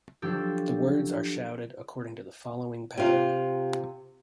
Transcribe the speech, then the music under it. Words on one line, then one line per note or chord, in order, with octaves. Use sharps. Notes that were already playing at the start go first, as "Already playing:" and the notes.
The words are shouted according to the following pattern.
F3 F#3 D4 G4 A4
C3 F4